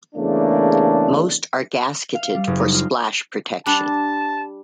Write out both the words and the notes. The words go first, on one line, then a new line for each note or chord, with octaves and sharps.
Most are gasketed for splash protection.
E2 C#3 A3 A#3 D4
F5
G3
F#1
D#4
F4
G3 D4 A5